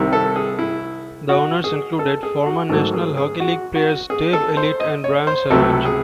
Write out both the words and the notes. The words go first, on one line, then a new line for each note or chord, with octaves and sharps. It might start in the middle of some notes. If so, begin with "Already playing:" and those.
The owners included former National Hockey League players Dave Ellett and Brian Savage.
Already playing: C2 C3 D#3
A4
G#4
E4
F#4
G#4
A4
G#4
F#4
G#2 D#3 F#3 A3 A4
G#4
G#4
F#4
F#4
G#4
A4
C5
D#5
C#5
C5
C#2 C3 F#3 A3 A4
G#4